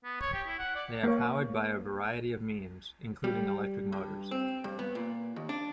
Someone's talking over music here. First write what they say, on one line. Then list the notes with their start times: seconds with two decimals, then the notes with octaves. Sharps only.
They are powered by a variety of means, including electric motors.
0.04 B3
0.20 C#5
0.34 G4
0.47 E4
0.59 F#5
0.75 D5
1.03 A#3 C#5
3.24 G3
3.92 G2
4.31 C4
4.64 G2
4.79 B3
4.95 A#2
5.36 D#2
5.49 D4